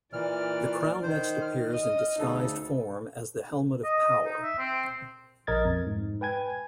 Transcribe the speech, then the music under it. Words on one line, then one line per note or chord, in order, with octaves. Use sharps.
The Crown next appears in disguised form as the "Helmet of Power".
A#2 E3 D5 F6
D#3 C5
F6
D#5
D2 C#3 D#4 A4
D#5
D#4
E5
C4
A#1 A#4 D#5 G#6 A6
F2
G#2
B4 G5 G#5 G#6